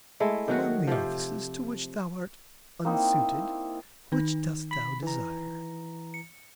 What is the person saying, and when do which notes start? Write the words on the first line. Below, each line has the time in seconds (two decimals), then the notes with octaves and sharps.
"Among the offices to which thou art unsuited, which dost thou desire?"
0.20 G#3 A3 E4
0.48 D#3 F#3 F#4
0.87 C3 F3
2.85 A#3 C4 D#4 E4
4.12 D#3 D#4
4.71 B5 B6
5.03 E3 A#5
6.14 C#7